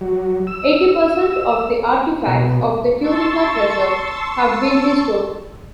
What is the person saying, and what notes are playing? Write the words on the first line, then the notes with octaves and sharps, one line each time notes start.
Eighty percent of the artifacts of the Tunica Treasure have been restored.
F#3
E6
B2
A5 C6 C#6 E6 A6